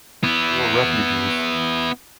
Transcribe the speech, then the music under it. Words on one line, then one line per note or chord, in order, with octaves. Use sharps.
They were refugees.
B3 E4